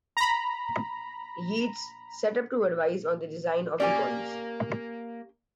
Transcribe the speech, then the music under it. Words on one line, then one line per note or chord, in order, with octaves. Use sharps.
Yeats, set up to advise on the design of the coins.
A#5 B5
A#3 C#4 G4 D5 G#5